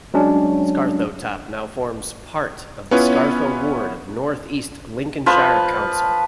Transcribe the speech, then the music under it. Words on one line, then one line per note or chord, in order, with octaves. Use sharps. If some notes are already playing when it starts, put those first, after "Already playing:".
Scartho Top now forms part of the Scartho ward of North East Lincolnshire Council.
F#3 G#3 C#4 D4
B3 C#4 E4 F4 B4 C#5
F3 B4 A5